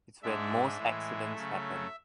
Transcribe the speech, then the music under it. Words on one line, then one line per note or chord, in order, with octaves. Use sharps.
It's when most accidents happen.
G#2 G#3 D4 E5
A2 E3 G#3
C#3 F#3 A3